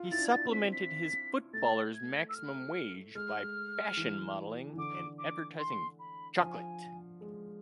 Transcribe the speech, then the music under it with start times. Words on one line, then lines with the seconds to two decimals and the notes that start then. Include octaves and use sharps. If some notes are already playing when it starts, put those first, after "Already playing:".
He supplemented his footballer's maximum wage by fashion modelling and advertising chocolate.
Already playing: F4
0.11 E4 A6
0.18 D4
0.24 G#6
0.31 A6
0.45 C4
0.52 B6
0.72 B6
1.53 A3 A6
1.94 G#6
2.29 E6
2.34 F6
3.15 G#3 F6
3.97 E3
4.73 E3
4.77 D3 D6
5.18 D6
5.58 C6
5.99 B5
6.40 F3 G#5
7.21 G#3